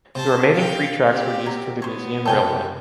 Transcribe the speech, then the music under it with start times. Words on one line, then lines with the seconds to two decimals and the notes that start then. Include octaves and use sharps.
The remaining three tracks were used for the museum railway.
0.15 C3 C5 A5
0.54 F5 G5
1.07 C4 G4
1.46 F#3
1.82 B3 C5 C#5
2.26 F#2 C3 A4 G5 G#5